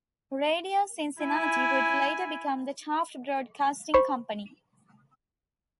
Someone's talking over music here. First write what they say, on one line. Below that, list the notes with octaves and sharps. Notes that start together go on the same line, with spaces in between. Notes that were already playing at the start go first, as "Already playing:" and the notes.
Radio Cincinnati would later become the Taft Broadcasting Company.
E4 G#5
C5 B5 C#6